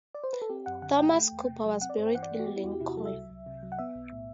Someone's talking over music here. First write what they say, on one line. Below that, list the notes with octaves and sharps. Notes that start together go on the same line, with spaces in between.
Thomas Cooper was buried in Lincoln.
D5
C5
B4
A4
C4 G4
F#2 F#5
D3 F#5
A3 G5
A3
E2
C3
F#3
C4 F#5
D5
G2 C5
G5
E3 F#5
D5
A3
F#4
B3 G4
E4
E2 F#4
G4
C3 E4
F#4
F#3 A4
E5
C2
C2
C3
F#3
F#5
B3 E5
B1
A2